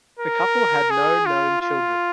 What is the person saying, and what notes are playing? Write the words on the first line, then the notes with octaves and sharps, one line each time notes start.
The couple had no known children.
A#4
G#4
F4
F4